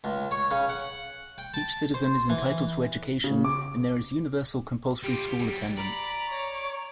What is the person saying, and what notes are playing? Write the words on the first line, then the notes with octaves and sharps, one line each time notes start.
Each citizen is entitled to education and there is universal compulsory school attendance.
C#2
C#5
C#3
F#5
G5
A5
C5
E3
C#3
D6
G3 F4 G4
F#3 G3
D5 A#5 B5
C#5